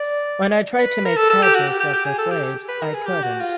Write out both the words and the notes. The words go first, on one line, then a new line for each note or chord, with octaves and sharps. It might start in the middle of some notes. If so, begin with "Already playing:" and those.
When I tried to make hedges of the slaves, I couldn't.
Already playing: D5
B4
A#4
A4
A4
G4
F#4
G4
G4
G4
G#4
A4
G4
G4
B4
A#4
G#4
G4
F#4
F4